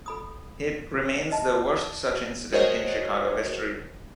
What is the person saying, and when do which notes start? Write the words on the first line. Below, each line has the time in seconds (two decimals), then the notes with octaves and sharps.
It remains the worst such incident in Chicago history.
0.06 A4 B5 D#6
1.31 D#5 E5 A5
2.53 F#4 G#4 A#4 C5 C#5 D#5